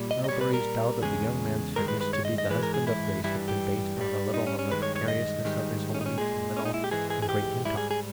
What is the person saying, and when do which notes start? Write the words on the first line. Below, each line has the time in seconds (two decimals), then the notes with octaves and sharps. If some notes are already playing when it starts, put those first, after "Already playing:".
Melbury's doubt of the young man's fitness to be the husband of Grace had been based not a little on the precariousness of his holdings in Little and Great Hintock.
Already playing: A#2 G3
0.11 D#5
0.24 D#5
0.29 A#2 G3 C#5
0.41 B4
0.54 A#4
1.02 E2 C#3 G#3 G#4
1.76 G2 D#3 G#3 A#4
1.88 B4
2.01 B4
2.13 C#5
2.25 D#5
2.38 D#5
2.50 G#2 E3 G#3 B4
2.63 A#4
2.74 G#4
2.87 E4
3.24 G2 E3 G3 E4
3.48 G4
3.97 G2 G3
4.34 D#4
4.47 C#4
4.59 C#4
4.71 G2 D#3 G#3 B4
4.83 C#5
4.96 C#5
5.08 D#5
5.45 G#2 D#3 G3
5.94 C#4
6.01 D#4
6.06 C#4
6.18 A#2 G#3 G#4
6.57 C#4
6.65 D#4
6.74 E4
6.84 G4
6.91 G#2 E3 G#3 G#4
7.10 G#4
7.22 G#4
7.29 G4
7.65 G#2 G3 E4
7.77 G#4
7.91 G#4